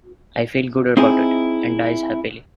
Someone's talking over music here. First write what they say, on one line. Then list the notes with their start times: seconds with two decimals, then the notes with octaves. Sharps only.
I feel good about it, and dies happily.
0.97 C4 D#4 E4 G#4